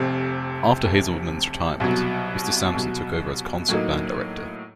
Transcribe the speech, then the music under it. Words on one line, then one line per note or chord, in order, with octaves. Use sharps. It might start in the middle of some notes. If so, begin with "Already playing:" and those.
After Hazelman's retirement, Mr. Sampson took over as concert band director.
Already playing: F1 F2 C3
F1 F2 C3
C2 B2 F#3
C2 B2 F#3
A2 F#3 A#3 D#4